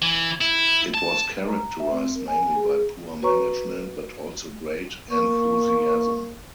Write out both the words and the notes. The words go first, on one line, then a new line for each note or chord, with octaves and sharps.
It was characterized mainly by poor management but also great enthusiasm.
E3
E4
A5
A#5
E5
C4
A#4
G#5
G#4
F#4 B4 C#5 A#5 C#6
A#3 C#6